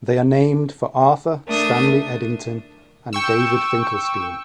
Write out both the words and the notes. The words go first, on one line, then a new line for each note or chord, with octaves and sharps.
They are named for Arthur Stanley Eddington and David Finkelstein.
A3 D4 A#4 D#6
G5 C#6 E6